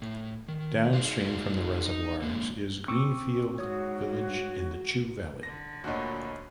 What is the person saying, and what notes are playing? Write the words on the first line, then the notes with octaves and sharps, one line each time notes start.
Downstream from the reservoirs is Greenfield village in the Chew Valley.
A2
D#3
D#4 F#4 G#4 C5 D5 F5
D#4
G#2 D3 A#3
C4 C#6 D6 E6
G#2 F#4 C#5 D#6
D3 A#6
D2 A#2 D4 F#4 C#5 D#5 B5